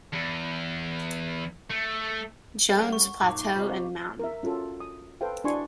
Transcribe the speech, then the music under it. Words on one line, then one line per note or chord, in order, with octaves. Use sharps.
Jones Plateau and Mt.
E2
A3
G3 A#3 C#4 F#5
C#6
F#2 A#2 D#4 F5 D6
C3 C4 F4 G4 C5 D#5 F5
A#4 E5
C#4 F4 F#4 A4
D#6
A4 B4 C5 F5 G5
D4 E4 F#4 G#5 C6 C#6